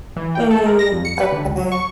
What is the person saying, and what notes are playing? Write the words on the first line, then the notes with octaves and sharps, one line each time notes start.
Mm, okay.
E3
G5
A4
A#4
A#6
F2
C#7
B4
D3
C#2
F#3
C#6